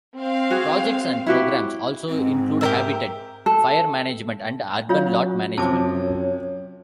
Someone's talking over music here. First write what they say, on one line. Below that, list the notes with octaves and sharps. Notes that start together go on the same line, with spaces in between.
Projects and programs also include habitat, fire management, and urban lot management.
C4 F5
F#4 G#4
E4 F#4 G4
G#2 C4
G4 A#4 E5
A4
F#3 C#4 F4 C#5 F5
F#2 C3 F3 C#5 A5 D6